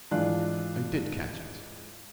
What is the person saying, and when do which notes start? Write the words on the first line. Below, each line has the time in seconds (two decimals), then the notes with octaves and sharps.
I did catch it.
0.11 G#2 E3 D4 F4 F#6